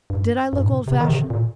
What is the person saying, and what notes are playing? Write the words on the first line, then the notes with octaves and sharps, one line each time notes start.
Did I look old fashioned?
G2
G2
A2
C3
A#2
C3
D#3
C3
D3
A#2